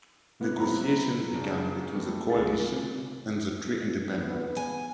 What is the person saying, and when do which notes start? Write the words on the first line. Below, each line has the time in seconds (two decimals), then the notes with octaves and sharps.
Negotiations began between the Coalition and the three independents.
0.41 C3 A#3 B3 F#6
0.57 C3 F#3 B3 A#5 B5
1.34 C#3 D4
1.94 A3 B3 G4
2.30 C2 G#4 A6
4.22 B3
4.56 G#5